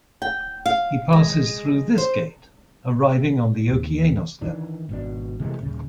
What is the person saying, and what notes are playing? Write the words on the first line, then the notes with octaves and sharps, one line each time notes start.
He passes through this gate, arriving on the Okeanos level.
G5
F5
G#3
C5
D#2
D#3 E3 D4
G#1 B2 D4
C3 E3 G#3 A3
D#1 C#3